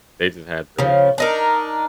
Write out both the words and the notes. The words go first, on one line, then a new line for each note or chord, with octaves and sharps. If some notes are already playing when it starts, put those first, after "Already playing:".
They just had those, uh
C#3 F3
D4 D#4 A#4